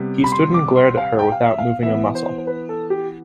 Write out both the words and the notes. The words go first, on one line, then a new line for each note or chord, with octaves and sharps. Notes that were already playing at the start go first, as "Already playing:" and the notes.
He stood and glared at her without moving a muscle.
Already playing: C3 G3 B3
B5
C6
D6
C6
F5
G5
F5
E5
F5
E3 B3 E5
C5
C5
B4
A4
G4